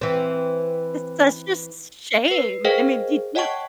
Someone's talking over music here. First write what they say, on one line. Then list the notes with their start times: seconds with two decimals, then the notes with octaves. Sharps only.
It's such a s sh shame. I mean, did you
0.01 E3 C4
2.28 B4 C7
2.65 G#4 A#4 C5 D#5 F5 G5
3.35 C#5 D#5 F#5 G5 A5 C#6